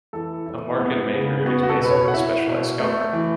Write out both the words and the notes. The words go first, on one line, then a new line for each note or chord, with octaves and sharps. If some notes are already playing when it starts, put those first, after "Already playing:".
A market maker is basically a specialized scalper.
E3 A4
E4
B3
C#3
B3 F#4
F#4
A4
B2 B4
C#5
F#5
E4 E5
B2
A3
E3